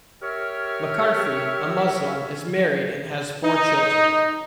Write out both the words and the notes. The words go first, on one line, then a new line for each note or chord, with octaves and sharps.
Makarfi, a Muslim, is married and has four children.
G4 A#4 C#5 E5 C#6 F6
D#4